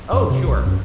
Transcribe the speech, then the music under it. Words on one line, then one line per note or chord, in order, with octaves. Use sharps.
Oh, sure.
F#2
C3
B1
F#2